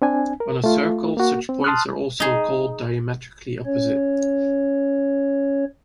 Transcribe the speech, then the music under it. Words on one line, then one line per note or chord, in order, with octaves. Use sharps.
On a circle, such points are also called diametrically opposite.
C4 D4 G#5
A#4
A3 F4
A#3 F#4
C4
A5 C6 D#6 F6 F#6
D#4 G#4
C#4 C#5